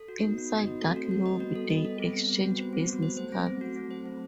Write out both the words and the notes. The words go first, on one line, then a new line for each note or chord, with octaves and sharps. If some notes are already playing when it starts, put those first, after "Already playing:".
Inside that lobby they exchanged business cards.
Already playing: A4
F#4
B3 D#4 F#4
F#4
D#5
F#4
A3 C4 A4
F#4
F#4
D#5
A3
G3 B3 F#4
A4
G3 B3 D#5
A4
C4
C4
C4
F#4
C5
C4
F#4
C5
F#3 A3 C5
G3 B3 C4
C4
F#3 A3 F#4
C4
C5
C4